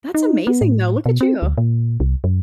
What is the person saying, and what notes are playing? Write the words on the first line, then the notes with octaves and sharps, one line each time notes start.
That's amazing, though. Look at you.
D#4
B3
A2
B2
C4
D2
A#2
C2
F#2